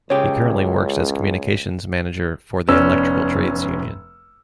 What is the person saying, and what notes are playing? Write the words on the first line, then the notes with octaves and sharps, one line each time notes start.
He currently works as communications manager for the Electrical Trades Union.
C#2 C#3 G4 C#5
F1 B3 C#4 D5 E6 F6